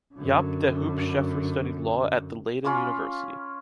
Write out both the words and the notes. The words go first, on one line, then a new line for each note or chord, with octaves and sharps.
Jaap de Hoop Scheffer studied law at the Leiden university.
F#2 D3
C#4 F4 B5 D6